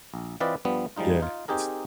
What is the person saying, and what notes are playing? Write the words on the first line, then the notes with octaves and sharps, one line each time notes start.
yeah, it's
A#1
E3 C4 F4 B4 D5 D#5
G2 F3 G3 B3
F3 G3 G#3 D#4 F4
D#4 F4
C4 D#4 G4 G#4 A#4